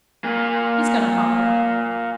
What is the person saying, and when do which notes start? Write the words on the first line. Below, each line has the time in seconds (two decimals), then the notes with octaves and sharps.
He's going to holler.
0.24 A#2 A#3